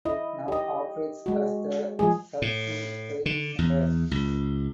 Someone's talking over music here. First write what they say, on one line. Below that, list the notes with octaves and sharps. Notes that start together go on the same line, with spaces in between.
It now operates as the Subsea Training Centre.
E4 D#5
G4 D#5
G#3 F#4
F3 G#3 G#4
A2
D3
E2
C#2